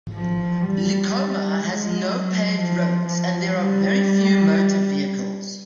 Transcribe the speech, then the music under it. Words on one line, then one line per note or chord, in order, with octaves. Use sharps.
Likoma has no paved roads, and there are very few motor vehicles.
F3
G3
G3
G#3
F#3
F3
F3
G3